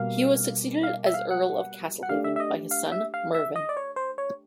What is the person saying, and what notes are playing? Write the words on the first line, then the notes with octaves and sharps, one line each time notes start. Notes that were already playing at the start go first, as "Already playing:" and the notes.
He was succeeded as Earl of Castlehaven by his son, Mervyn.
Already playing: B2 G3 A#3 F5
F5
E5
F5
F#5
F#5
A3 D4 G4 F5
E5
E5
D#5
F5
E5
F5
E5
D#5
D5
C#5
C5
C#5